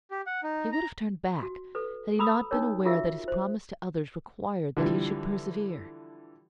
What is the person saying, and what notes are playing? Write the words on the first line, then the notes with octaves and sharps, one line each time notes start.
He would have turned back had he not been aware that his promise to others required that he should persevere.
G4
F#5
D#4
A#5
F#4
A4 B4
A4 A#5 B5 D#6 E6
D4 D#4 G#4 A#4 C#5
F4 F#4 G#4 A#4 E5
C5
D3 E3 F3 G3